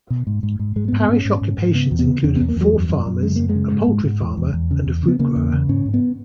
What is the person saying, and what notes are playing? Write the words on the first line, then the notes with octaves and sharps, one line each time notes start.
Parish occupations included four farmers, a poultry farmer, and a fruit grower.
B2
G#2
G#2
G#2
G#2 G#3
B3
G#2
B3
G#2 C#4
G#2
G#2
G#2
C#3 B3
E2
B3
C#3
E2 C#4
B3
E2
A#3
E2 F#3
F#2
F#2
F#2
C#3 G#3
F#2 A#3
G#3
C#3
G#2
G#2
G#2
E2
E2
E2
C#3
E2
C#3
B3
C#3 A#3
E2
C#3
G#2 C#4
G#2
B3